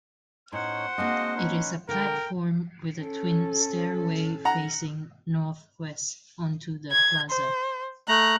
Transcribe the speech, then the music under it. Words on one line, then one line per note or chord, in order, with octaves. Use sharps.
It is a platform with a twin stairway facing northwest onto the plaza.
A2 C#4 D#4 C5 C#5 F#5
G#3 A#3 C4 D4 F#4 D#5 F5
C#4 D#4 B4 C6
D3 A#3 A#4 G5
C#4 A4
F#5 A#5
G#6
C5
A3 A#5 F#6